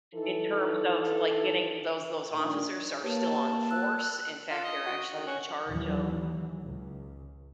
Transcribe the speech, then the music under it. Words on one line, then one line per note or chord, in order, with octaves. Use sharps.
in terms of, like, getting those those officers are still on the force, in fact, they're actually in charge of
E3 D#4 A4
A#2 D#3 D4
A#3 G4 B4 C#5 A5
E6 F#6
F4 A4
D#5
F#4
D#3
C#4 F#4
D#2 E3 F#3
C#2